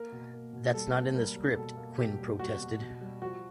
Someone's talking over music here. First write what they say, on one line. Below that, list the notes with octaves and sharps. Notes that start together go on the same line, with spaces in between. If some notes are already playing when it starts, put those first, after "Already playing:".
'That's not in the script', Quinn protested.
Already playing: A#3 A#4
B2
A#3
B2
G3 A4
A#3
G3 A#4
G3
B2 A4
A#3
B2 G4
G3
G3 F#4
B2
B2
G3
F3 F#4